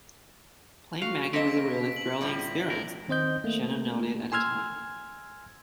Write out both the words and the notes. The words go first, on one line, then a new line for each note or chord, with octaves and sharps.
"Playing Maggie was a really thrilling experience," Shannon noted at the time.
F#4 F5
A#3 C4 D#5 A#6 B6 D7
F#7
A2 F3 G3
F2 A#4
D#3 C4 C5 D#5 G6
A3 A#3
G#5 C6 E6 F6 G#6